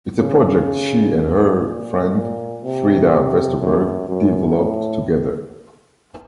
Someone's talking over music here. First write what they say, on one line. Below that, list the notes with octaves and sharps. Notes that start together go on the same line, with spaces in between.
It's a project she and her friend Frida Vesterberg developed together.
C#3
A#2
A#2
C3
C3
F#2
F#2
A2